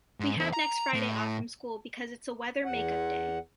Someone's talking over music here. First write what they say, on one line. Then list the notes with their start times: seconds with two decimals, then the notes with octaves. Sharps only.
We have next friday off from school because it's a weather make-up day.
0.20 G#2
0.37 E2 C5
0.53 A#5
0.94 A2
2.65 E2 F#5